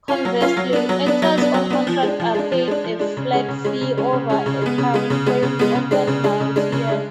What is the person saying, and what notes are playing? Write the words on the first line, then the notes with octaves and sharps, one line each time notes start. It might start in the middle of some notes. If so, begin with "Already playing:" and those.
Conversely, actors on contract are paid a flat fee over a timeframe-often multi-year.
C#4 F4
F#3
C#4 F4
F#3
B3 D4
F#3
B3 D4
F#3
B3 D4
F#3
B3 D4
F3
G#3 D4
F3
G#3 D4
F3
G#3 D4
F3
G#3 D4
C#3
G#3 C#4
C#3
G#3 C#4
C#3
G#3 C#4
C#3
G#3 C#4
C#3
G#3 B3
C#3
G#3 B3
C#3
G#3 B3
C#3
G#3 B3
C#3
G#3 D4
C#3
G#3 D4
C#3
G#3 D4
C#3
G#3 D4